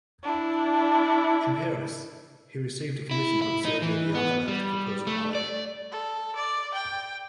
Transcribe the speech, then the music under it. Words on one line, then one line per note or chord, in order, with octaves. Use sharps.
In Paris, he received a commission from Serge Diaghilev to compose a ballet.
D4 E4
E4
E4
D#4
E3
B3
G3
A3
D5
A4
D5
G5